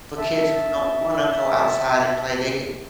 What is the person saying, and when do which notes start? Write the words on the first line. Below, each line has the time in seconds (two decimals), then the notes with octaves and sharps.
for kids who don't want to go outside and play, they could
0.18 E5 A5